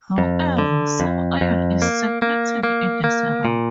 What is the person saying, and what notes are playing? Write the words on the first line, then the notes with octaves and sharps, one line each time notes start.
However, some iron is circulating in the serum.
F2
D3
F2
F2
A#3
A#3
A#3
A#3
A#2